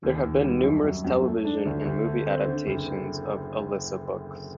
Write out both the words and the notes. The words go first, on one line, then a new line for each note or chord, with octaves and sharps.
There have been numerous television and movie adaptations of "Alisa" books.
D#2
D#2
G3
F#2
F#2
F#2
A3
D4
D2
D2
A3
C4
D3
F#1